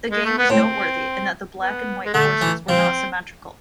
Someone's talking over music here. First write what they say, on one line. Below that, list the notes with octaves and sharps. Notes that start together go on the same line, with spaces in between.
The game was noteworthy in that the black and white forces were not symmetrical.
G#3
A3
B3
A2 C4
B3
G#3
D3 A3
E3
F3 C4